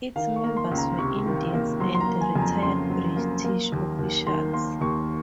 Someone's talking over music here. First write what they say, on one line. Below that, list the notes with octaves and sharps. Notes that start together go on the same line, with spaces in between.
Its members were Indians and retired British officials.
D#3 F5
C#6
A#3
C6
C#2
A#5
C3 C#6
D#3
A#3
F#3 C6
C6
A#5
A#3
G#5
F2 G#5
A#5
C#3 C6
F#3
A#3
A#3
D#2
D#2
D#3 C6
A#3 C6
D#2 C#6